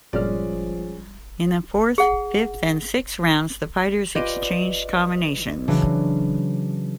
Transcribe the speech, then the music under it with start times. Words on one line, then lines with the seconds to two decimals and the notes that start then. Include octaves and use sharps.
In the fourth, fifth and sixth rounds the fighters exchanged combinations.
0.13 G1 A#2 F3 G3 G#3 C#4 D5 F6
1.98 G#4 F#5
4.15 F4 G4 B4 D5 D#5
5.68 C#3 E3 F#3 D4 F#4